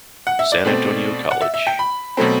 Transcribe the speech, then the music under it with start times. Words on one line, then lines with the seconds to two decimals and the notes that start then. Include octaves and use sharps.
San Antonio College.
0.27 F#5
0.39 E5
0.52 D5
0.65 B2 A3 C4
1.31 F#5
1.41 E5
1.54 E5
1.67 G5
1.79 B5
2.17 B2 F#3 A3 C4